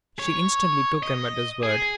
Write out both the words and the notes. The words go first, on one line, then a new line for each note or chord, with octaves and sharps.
She instantly took him at his word.
C#5
D#5
G#4